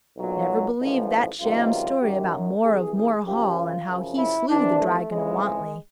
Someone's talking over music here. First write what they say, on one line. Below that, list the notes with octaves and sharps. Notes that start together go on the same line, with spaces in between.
Never believe that sham story about More of More Hall, and how he slew the Dragon of Wantley.
B1 A#2 F#3
A1 G#2 F3
C#2 C3 D#3 F#3 F4
F#2 D#3 F#3 G4
C2 C3 E3 G#4
G#4
F#2 C#3 F3 G4
F4
F#2 C#3 F3
E4
C2 C3 E3 D4
A3
F2 C#3 E3 G#3